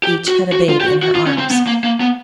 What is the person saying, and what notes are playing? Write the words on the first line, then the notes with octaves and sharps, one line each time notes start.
Each had a babe in her arms.
G4
F#4
F#4
F4
G4
F#4
F#4
F4
C#4
C4
B3
A#3
A#3
B3